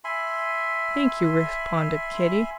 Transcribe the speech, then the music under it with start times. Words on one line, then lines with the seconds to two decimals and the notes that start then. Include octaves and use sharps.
"Thank you," responded Kitty.
0.04 E5 G#5 B5 C6